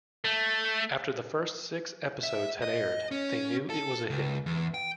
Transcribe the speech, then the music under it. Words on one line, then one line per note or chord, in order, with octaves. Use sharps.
After the first six episodes had aired they knew it was a hit.
A3
E5
D#5
C#4
A4
C#2
E2
G5